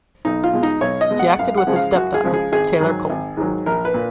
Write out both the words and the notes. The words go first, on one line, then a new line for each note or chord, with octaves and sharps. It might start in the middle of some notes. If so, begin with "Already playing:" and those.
He acted with his stepdaughter, Taylor Cole.
B1 D#4
F4
B2 G#3
D#4
B1 C#5
D#5
B2 G#3
F#5
F#2 F5
F#5
C#3 F3 G#3
F5
F#2 F#4
G#4
C#3 F3 G#3
G#4
G#1 G#4
G#2 D#3 F#3
G#1
G#2 D#3 F#3
A#1 A#4
B4
A#2